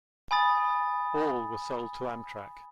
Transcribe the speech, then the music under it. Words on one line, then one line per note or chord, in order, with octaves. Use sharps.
All were sold to Amtrak.
G#5 B5 D#6 A6